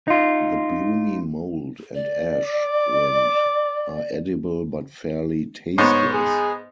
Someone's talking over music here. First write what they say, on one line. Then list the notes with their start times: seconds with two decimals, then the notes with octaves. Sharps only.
The bloomy mold and ash rind are edible but fairly tasteless.
0.08 D#4 F4
1.95 D5
2.46 D6
5.78 G#2 B3 C#5
6.13 G#4